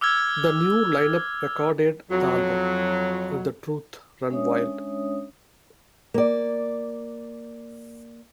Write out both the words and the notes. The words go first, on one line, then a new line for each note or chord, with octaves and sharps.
The new line-up recorded the album ...let the Truth Run Wild!
D6 E6 F6 G#6
F2 F#3
G#3 C#4 D4 C#5 E5 D#6
A#3 D5